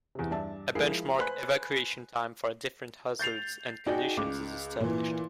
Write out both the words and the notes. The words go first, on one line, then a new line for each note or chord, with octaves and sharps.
A benchmark "evacuation time" for different hazards and conditions is established.
E2 C3
G2 D5 E5 A5
F3 G#3 E4 G#4 A#4 C7
B4 C5 G#5 B5 C6 F#6
G6 A6 C7 F7
D#4 F#4 G#4 D5 G5
C#2 D6
A#2 E3